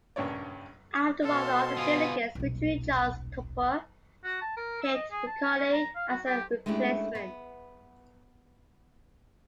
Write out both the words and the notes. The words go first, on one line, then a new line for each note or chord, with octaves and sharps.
After one of the other delegates withdrew Charles Tupper picked McCully as a replacement.
A#1 G2 C#3 C#5 D5
B2 A4 C5 F5 C6
B3 F4 G#5 D#6
D#1 B1
F#4
A5
A#4
E6
D#5
G#4
A5
C#4
A#5
F5
F#4
G4
G#3 A3 C#4 D4 E4 G4
B3